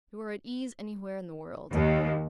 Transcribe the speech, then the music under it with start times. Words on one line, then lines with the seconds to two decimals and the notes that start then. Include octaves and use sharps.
You are at ease anywhere in the world.
1.72 D#2